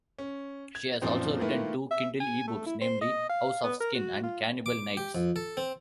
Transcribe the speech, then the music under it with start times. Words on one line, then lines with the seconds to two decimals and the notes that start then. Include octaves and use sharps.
She has also written two Kindle eBooks namely "House of Skin" and "Cannibal Nights".
0.19 C#4
0.75 G#6
1.01 F#2 A#2 F3 C4 D#4
1.41 D#3 A3 A#3 E4 F4 B4
1.91 E5
2.20 G#5
2.47 A3
2.66 E4
2.81 C5
3.02 D#5
3.29 F5
3.64 B3
3.80 A#4
3.94 F#4
4.24 F4
4.66 D6
4.97 G4
5.15 F2
5.36 A4
5.57 C4